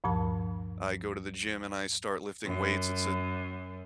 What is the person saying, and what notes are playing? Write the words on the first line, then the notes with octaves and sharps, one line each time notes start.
I go to the gym and I start lifting weights, it's a
D2 G2 A#2 F3 A5
F#2